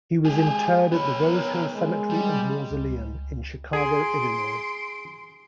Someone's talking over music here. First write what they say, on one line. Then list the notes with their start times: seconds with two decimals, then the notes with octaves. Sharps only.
He was interred at the Rosehill Cemetery and Mausoleum in Chicago, Illinois.
0.25 G#3 G4 G#4
0.92 B3 C#5 B5
1.25 A#4
1.75 G#3
2.10 G3
2.71 C#2
3.73 G#4 C6 D7